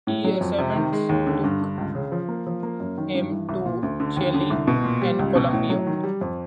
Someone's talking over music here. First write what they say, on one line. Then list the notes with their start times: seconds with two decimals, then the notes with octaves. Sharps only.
He assignments took him to Chile and Colombia.
0.07 A2
0.24 F#3
0.41 F2
0.58 C3
0.76 D#3
0.93 G#3
1.09 D#2
1.27 D3
1.44 G2
1.61 D3
1.78 C#2
1.95 C#3
2.12 F3
2.29 A#3
2.47 F3
2.63 A#3
2.80 F#2
2.98 D#3
3.15 G2
3.31 E3
3.49 C2
3.66 A#2
3.83 D2
4.00 D3
4.17 D#2
4.34 D3
4.50 C2
4.67 B2
4.84 A#2
5.02 G3
5.19 C#2
5.35 B2
5.53 A2
5.70 F#3
5.87 D#3
6.04 G3
6.21 F2